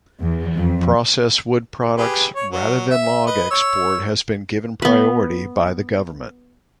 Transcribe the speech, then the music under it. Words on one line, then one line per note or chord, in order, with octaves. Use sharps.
Processed wood products, rather than log export has been given priority by the government.
E2
F2
G4 G#4 B4
C#5
F#3
E5
B4 D#5
C#5 E6
B3 B4